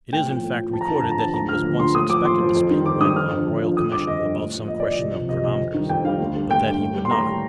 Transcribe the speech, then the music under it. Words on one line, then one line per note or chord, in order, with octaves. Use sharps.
It is, in fact, recorded that he was once expected to speak when on a Royal Commission about some question of chronometers, but that he would not.
A2 G5
F3
A2
F3
F2 A5
A#5
D3 F3 A5
A#5
F2 A5
A#5
D3 F3 A5
D2 A#5
D3 F3 F6
D2
D3 F3 C6
A2 D#6
F3 D6
A2 C6
F3
F2
D#3 G3
F2 D6
D#3 G3 D#6
F2 F6
D3 F3
F2
D3 F3
F2 D#6
D3 G3 D6
F2 D#5
D3 G3
A2
F3
A2 D#5
F3 D5
D#5
C2
C3 F3
C2 D#5
C3 F3 D#5
F2
D#3 G3
F2 G5
D#3 G3 F5
D2
D3 G3
D2 G5
D3 G3
A2
G3
C6
A2 A#5
G3